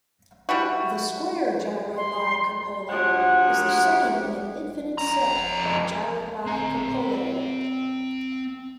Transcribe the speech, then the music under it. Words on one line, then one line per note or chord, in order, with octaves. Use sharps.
The "square gyrobicupola" is the second in an infinite set of gyrobicupolae.
G3 E4 F#4
C6
D2 F3 F#4 G4 C#5 F#5
F2 A#5
C4 A#5